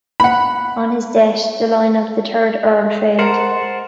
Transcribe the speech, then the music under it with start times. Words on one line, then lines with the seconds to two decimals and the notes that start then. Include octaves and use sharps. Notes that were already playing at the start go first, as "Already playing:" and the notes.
On his death the line of the third Earl failed.
0.20 F#5 B5
3.19 A#4 C5 F#5 A5